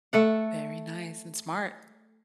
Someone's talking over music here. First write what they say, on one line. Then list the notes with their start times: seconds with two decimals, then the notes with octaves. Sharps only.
Very nice and smart.
0.13 A3 A4 F#5